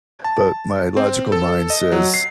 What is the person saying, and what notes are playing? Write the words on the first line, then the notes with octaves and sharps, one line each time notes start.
But my logical mind says,
A5
C4
A4
D#5
F#3
C7